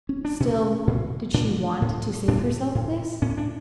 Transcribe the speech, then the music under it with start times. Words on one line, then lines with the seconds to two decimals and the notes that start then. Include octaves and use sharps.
Still, did she want to save herself this?
0.09 C#4
0.25 D4
0.40 B2 C#4
0.87 A#2
1.34 A#2 D4
1.82 A2
2.28 A2 D4
2.75 A2
3.22 A2 C#4
3.37 D4